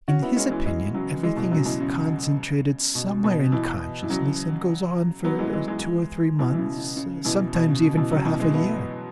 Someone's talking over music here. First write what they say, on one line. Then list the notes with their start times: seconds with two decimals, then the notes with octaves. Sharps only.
In his opinion everything is concentrated somewhere in consciousness and goes on for two or three months ... sometimes even for half a year....
0.08 C#4 F#4
0.22 B3 E4
0.36 G#3 C#4
0.51 E3 G#3
0.66 E3 G#3
0.94 C#3 F#3
1.23 E3 G#3
1.37 B2 E3
1.52 C#3 F#3
1.65 B2 E3
1.80 C#3
2.95 B2
3.24 B2
3.52 B2 E3
4.03 E3
4.10 C#3 F#3
5.24 F#3 B3
5.39 E3 G#3
5.53 E3 G#3
5.68 E3 G#3
6.39 B2 E3
6.54 E3
6.58 C#3
6.78 C#3
6.97 C#3
7.25 B2 E3
7.54 B2
7.68 C#3
7.83 C#3
7.97 B2 E3
8.11 C#3 F#3
8.25 B2 E3
8.40 E3 G#3
8.54 B3 E4